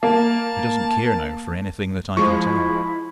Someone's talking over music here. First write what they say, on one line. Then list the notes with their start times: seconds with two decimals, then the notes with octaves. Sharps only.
"He doesn't care, now, for anything that I can tell him."
0.03 A#3 A5
2.17 F3 G#3 E4 C#6